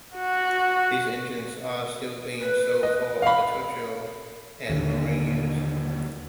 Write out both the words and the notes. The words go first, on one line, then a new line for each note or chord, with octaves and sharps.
These engines are still being sold for agricultural and marine use.
F#4
B4
D#5
F5 B5
D#2 A#2 D3